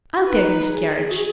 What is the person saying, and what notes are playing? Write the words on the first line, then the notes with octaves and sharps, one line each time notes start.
I'll take this carriage.
D#4 B4
G#4
F#4